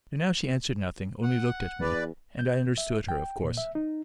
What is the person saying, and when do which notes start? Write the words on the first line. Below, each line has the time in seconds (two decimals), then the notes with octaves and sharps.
But now she answered nothing, only looked at me, and I understood her, of course.
1.23 F#5
1.81 E2 B4 D5
2.39 G6
2.78 E5
3.09 G5
3.44 A#2
3.58 E5
3.75 D#4